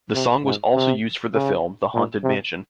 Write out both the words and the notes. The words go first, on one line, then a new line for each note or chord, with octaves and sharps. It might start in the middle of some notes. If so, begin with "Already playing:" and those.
The song was also used for the film, The Haunted Mansion.
C3
G#2
C3
C#3
A#2
C3